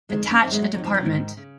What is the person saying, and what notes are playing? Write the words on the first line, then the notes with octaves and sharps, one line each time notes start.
Attach a department.
F2 D#3 G#3
C#4
F#2 D#3 C4
G#3
F#3
F2 D#3 F#3
F3
F#3
G#2 D#3
C#3